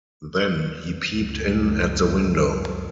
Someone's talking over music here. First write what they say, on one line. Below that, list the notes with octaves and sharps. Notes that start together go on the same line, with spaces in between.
Then he peeped in at the window.
C#2 F#2